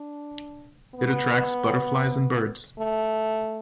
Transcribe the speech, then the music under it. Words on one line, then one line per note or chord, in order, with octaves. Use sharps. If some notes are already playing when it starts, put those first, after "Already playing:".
It attracts butterflies and birds.
Already playing: D4
B3
A3